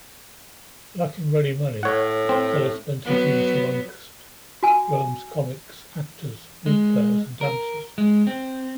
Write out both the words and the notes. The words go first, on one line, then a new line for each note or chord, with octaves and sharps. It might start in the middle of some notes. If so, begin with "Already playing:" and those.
Lacking ready money, Sulla spent his youth amongst Rome's comics, actors, lute-players, and dancers.
A2 C#5 F#5
C4
F#3 B3
F#4 G#5
G#3
A#4
G#3
C4